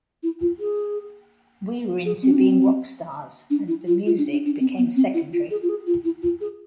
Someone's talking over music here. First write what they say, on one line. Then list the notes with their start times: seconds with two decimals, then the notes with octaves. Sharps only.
We were into being rock stars and the music became secondary.
0.23 E4
0.41 F4
0.59 G#4
2.05 G#4
2.22 C4
2.31 D4
2.36 C4
3.50 D4
3.68 E4
3.86 F4
4.05 F4
4.18 D4
4.31 D4
4.45 D4
4.60 C4
4.78 B3
4.96 C4
5.14 E4
5.32 F4
5.50 G#4
5.62 F4
5.69 G#4
5.86 F4
6.04 E4
6.22 F4
6.41 G#4